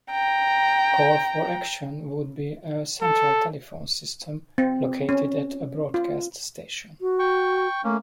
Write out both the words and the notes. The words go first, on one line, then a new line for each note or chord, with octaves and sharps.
Call For Action would be a central telephone system located at a broadcast station.
G5 A#5
A4
C4
C#4
F4
F#4
G5 C#6
A3 A#3 C#4